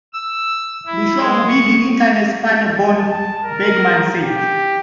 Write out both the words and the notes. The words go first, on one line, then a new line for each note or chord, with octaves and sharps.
"The show will be the Internet's funny bone," Bergman said.
E6
E4
G#3
C#6
A5
A#4
G4